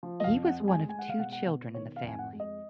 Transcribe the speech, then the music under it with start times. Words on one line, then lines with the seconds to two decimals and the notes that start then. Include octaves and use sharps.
He was one of two children in the family.
0.03 F3
0.20 D#5
0.24 F5
0.32 F2
0.45 F#5
0.60 G#3
0.68 G#5
0.89 G#3 G#5
0.99 F#5
1.09 F5
1.18 B2 F#5
1.32 F#5
1.46 B2
1.74 D#3 C#5
1.96 F5
2.03 F2 G#5
2.19 F#5
2.33 G#3
2.40 D#5